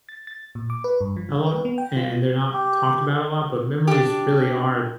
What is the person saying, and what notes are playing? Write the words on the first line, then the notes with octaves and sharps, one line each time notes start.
a lot, and, they're not talked about a lot, but memories really are th
A6
A6
A#2
D6
B4
G2
F3
D3
B4
B3
G5
F4
G4
D4 G4